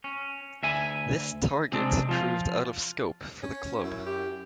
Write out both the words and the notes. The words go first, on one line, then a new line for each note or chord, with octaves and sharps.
This target proved out of scope for the club.
C#4
D2 E5 G#5
C3 G#3 C4 D4
F3 F4
C#4
F#2 E4
G4